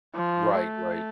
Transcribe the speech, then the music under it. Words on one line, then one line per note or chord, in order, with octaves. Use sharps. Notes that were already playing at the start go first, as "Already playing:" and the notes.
Right, right.
F3
A3